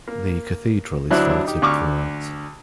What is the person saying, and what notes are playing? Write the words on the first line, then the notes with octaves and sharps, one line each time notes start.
The cathedral is vaulted throughout.
A#3
D2 F#3 D4 E4 C5 F#6
D#4 G4
D2 C#6 D6 F6